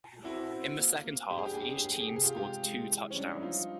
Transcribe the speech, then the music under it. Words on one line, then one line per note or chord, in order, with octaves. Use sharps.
In the second half, each team scored two touchdowns.
C4 E4 F#4
C4
A#3
A#3
G2 G4
G#4
G4
G#4
G2 G4
G#4
G4
A3 G#4
G4
G#4
C3 G4
G#4
F4 G4
G#3 F4 G4
G#3
E3
C#4
G3 D4
D#4
E4
F3 D#4 F4